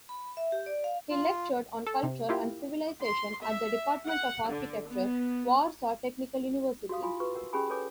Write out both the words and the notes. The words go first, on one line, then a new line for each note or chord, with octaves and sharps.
He lectured on culture and civilization at the Department of Architecture, Warsaw Technical University.
B5
E5
G4
D5
F5
F4
A4
C3
A#3 E4 F4 G4
C6
E5
F#5
D3
B3
F#4 G4 F5 D#6
E4 F4 G#5 C6
F#4 B4 C#6
A#4 F#5
C#4 G4 G#4 G#5 B5 D#6
A4 B4 C#5 G#5 D6